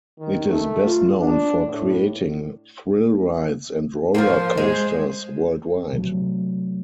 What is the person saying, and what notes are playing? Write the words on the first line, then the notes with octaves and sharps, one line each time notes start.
It is best known for creating thrill rides and roller coasters worldwide.
D#3
A3
F4
D4
A2
F3 A#3 C5
G#3
C3 F#3 A3